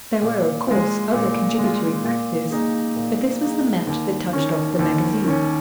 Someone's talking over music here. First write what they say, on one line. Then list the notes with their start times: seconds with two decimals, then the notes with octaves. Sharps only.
There were, of course, other contributory factors, but this was the match that touched off the magazine.
0.22 A#2
0.68 G#3 F4
1.13 A#2
1.59 G#3 F4
2.04 A#2
2.50 A#3 D#4 G#4
2.96 A#2
3.42 A#3 D#4 G#4
3.87 D#2
4.33 D#3 C#4
4.79 D#2
5.25 D#3 C#4